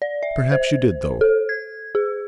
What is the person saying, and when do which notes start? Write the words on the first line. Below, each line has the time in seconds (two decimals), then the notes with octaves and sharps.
Perhaps you did, though.'
0.02 D5
0.23 E5
0.52 C5
1.21 A4
1.49 G#6
1.95 G#4